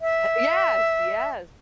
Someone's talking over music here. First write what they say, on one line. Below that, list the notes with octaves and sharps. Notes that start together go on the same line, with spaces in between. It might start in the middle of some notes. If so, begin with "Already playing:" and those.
yes, yes,
E5